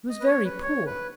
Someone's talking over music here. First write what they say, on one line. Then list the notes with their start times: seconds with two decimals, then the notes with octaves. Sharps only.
He was very poor.
0.10 D#5
0.20 B4
0.27 C#5
0.45 B4
0.62 C#5
0.86 B4